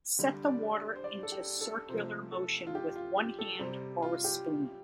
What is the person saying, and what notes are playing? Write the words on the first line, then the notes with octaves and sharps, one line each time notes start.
Set the water into circular motion with one hand or a spoon.
D3 G3
D5
C5
D5
A4
G4
A4
C3 F3 A3 C5
A4
F4
G4
F4
G4
A4
C3 G3 C5
F4
G4